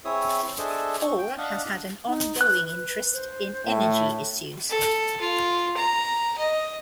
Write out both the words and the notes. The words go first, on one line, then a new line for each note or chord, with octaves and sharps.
Hall has had an ongoing interest in energy issues.
C4 E4 G#4 C#5 E5 D#6
D4 G#4 A4 C5 D#5 E5
C#6
G5
D4 D#5 F5 F#5
D#4
B4 F#6
C5
A2 E5
A4
F4
A#5
D#5